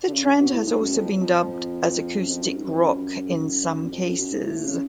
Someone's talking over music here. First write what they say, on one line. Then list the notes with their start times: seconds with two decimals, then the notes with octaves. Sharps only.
The trend has also been dubbed as "acoustic rock" in some cases.
0.08 D3
0.13 C#3
0.26 C#3
0.40 B2
0.53 A2
0.67 G#2
0.81 F#2
0.94 F2
1.21 F2
2.19 F#2
2.30 F2
2.42 F#2
2.56 G#2
2.64 F#2
2.70 F2
2.83 F#2
3.92 F2
4.05 F#2
4.18 F#2
4.32 G#2
4.46 A2
4.64 C#3